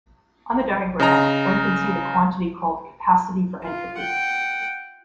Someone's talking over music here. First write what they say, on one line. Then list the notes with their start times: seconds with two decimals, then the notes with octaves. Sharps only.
On the diagram one can see the quantity called capacity for entropy.
1.00 C#3 D#5 A#5
3.63 F4
3.98 F#5 G5